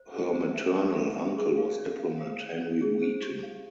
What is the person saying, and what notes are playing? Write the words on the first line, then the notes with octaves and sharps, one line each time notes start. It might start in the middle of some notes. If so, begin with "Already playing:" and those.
Her maternal uncle was diplomat Henry Wheaton.
Already playing: C5
A4
C5
E5
E5
E5
E5
G#4
F5
C#5
F5
F5
C#5
C#5
G#4
C5
G4
F5